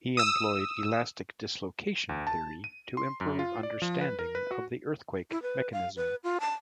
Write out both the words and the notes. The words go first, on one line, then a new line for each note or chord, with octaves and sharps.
He employed elastic dislocation theory to improve understanding of the earthquake mechanism.
D#6 E6
D2
A5
D#7
C6
F#2
F4
D5
F3
B4
A#4
B4
F#4
E4
B4
F5
B4
F4
A5